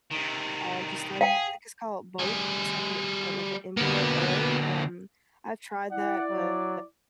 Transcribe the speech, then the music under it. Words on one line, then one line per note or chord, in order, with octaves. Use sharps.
um, just like, I think it's called boke, it's like a, like a embryo egg, um, I've tried that, but
C3 D#3
G#4 F5 G5
G3 G#4
D3 A#3 B3 F#4
E4 D5 F#5
F#3